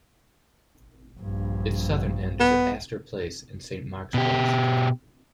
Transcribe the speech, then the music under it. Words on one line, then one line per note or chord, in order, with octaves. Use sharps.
Its southern end is at Astor Place and Saint Mark's Place.
A#1 G2
B3
B2 G4